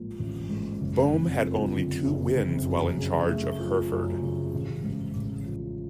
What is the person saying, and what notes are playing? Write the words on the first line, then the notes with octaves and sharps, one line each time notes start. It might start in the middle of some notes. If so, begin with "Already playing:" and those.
Bohme had only two wins while in charge of Herford.
Already playing: A1 G#2 F3 A#3
A1
G#2
F#1
F2
F3
D3
F#1
F2
F#2
C#3
A3
F3
F#2
C#3
A1
G#2
A1
F3